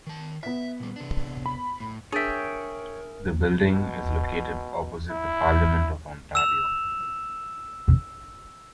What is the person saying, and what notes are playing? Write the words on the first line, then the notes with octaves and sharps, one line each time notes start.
The building is located opposite the Parliament of Ontario.
D#3 A5
B3 E5 B6
A#2 G3
C3 D4
B5
A2
D4 G#4 A#4 C#5 E5 G5 A6 B6
B2
E4
E6 E7 F7